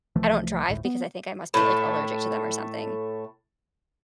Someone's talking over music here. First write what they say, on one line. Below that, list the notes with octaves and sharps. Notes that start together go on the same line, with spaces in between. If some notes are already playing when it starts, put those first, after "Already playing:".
I don’t drive because I think I must be, like, allergic to them or something.
C2 E3 F3 A3
G#1 D2 A2
B3
A2 A3